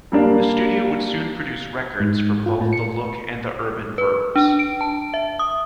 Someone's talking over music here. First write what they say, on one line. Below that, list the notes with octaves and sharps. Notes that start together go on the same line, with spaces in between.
The studio would soon produce records for both the Look and the Urban Verbs.
G3 A#3 D4 F5
G#2
F4
A2
C#7
B4
D4
D7
A5
E5
D#6